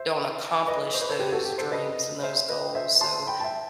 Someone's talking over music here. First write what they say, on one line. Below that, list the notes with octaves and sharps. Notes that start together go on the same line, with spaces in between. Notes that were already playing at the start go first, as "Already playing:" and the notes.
don't accomplish those dreams and those goals, so,
Already playing: C5 E5
B4 D#5
C5
B4
A4 C5
G4 B4
F#4 A4
G4
A4 C5
B4 D#5
C5 E5
B4 D#5
C5 E5
A5 C6
G5 B5
A5
E5 G5